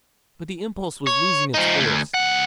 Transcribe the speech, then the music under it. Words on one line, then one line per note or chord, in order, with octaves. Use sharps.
"But the impulse was losing its force."
C#5
F3 D#4
D2
C#2 F#5